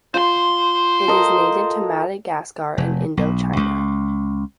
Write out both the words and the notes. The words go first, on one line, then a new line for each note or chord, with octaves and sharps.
It is native to Madagascar and Indochina.
F4 C5 F5 C6
A4 A#4 D#5
F1
B1
C#2